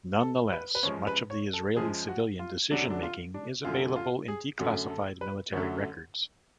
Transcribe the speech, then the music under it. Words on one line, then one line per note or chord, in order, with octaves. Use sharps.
Nonetheless, much of the Israeli civilian decision-making is available in declassified military records.
A4
B4
B4
F#2 F3 G#3 C#5
B4
C#5
A4
F#2 F3 G#3 G#4
F#4
F4
F#2 D3 F#3 A3 D4
D4
F4
D4
F#2 D3 F#3 A3 F4
F4
G#4
F#2 D3 F#3 A3 F#4
A4
B4
F#2 D3 F#3 A3 C#5